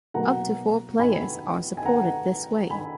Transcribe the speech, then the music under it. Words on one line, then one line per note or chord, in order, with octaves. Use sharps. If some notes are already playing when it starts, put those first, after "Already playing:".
Up to four players are supported this way.
B2 F#3 A#3 F#5 A#5
G#5 B5
G#5
F#5 A#5
G#5 B5